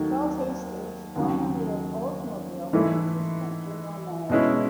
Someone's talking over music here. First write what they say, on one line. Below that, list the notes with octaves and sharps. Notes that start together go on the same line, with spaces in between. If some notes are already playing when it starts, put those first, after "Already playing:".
Charles Hastings, formerly of Oldsmobile, was assistant general manager.
Already playing: D#2 D#3 F#3 A3 D#4
D#2 C#3 F#3
G#2 E3 A3 E4
B2 G#3 C#4 E4